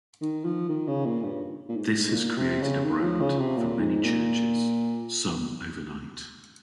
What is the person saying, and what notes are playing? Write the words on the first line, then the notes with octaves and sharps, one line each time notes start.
This has created a brand for many churches, some overnight.
D#3
F3
D#3
C#3
A#2
G2
A#2
G#2
G#2
A#2
C3
C#3
D#3
F3
C#3
C3
A#2
G#2
A#2